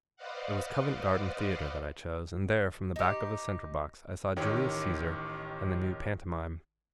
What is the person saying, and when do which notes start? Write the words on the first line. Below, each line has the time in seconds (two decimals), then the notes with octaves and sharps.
It was Covent Garden Theatre that I chose; and there, from the back of a centre box, I saw Julius Caesar and the new Pantomime.
0.16 B4 C5 D5 D#5 F5 F#5
2.96 D#4 G4
4.36 A1 D#3 G4 C#5